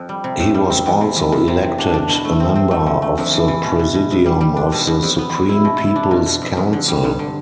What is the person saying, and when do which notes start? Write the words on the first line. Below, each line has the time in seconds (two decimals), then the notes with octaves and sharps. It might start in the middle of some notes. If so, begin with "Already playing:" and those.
He was also elected a member of the Presidium of the Supreme People's Council.
Already playing: F2
0.09 G3
0.24 C3
0.39 A2
0.54 G3
0.70 C4
0.86 E2
1.01 C3
1.16 E2
1.32 E2
1.48 C3
1.63 C3
1.78 D4
1.94 D4
2.09 B2
2.25 A3
2.40 C4
2.56 C4
2.71 A3
2.87 D3
3.02 A3
3.18 F2
3.33 E3
3.48 E3
3.64 B2
3.79 B2
3.95 B2
4.11 F2
4.26 G3
4.41 G3
4.56 D4
4.72 B2
4.87 B2
5.03 F2
5.18 B3
5.33 F2
5.49 E4
5.65 B2
5.80 E4
5.96 D4
6.11 B2
6.26 B2
6.42 F2
6.57 F2
6.73 D3
6.88 G3
7.04 G2
7.19 D3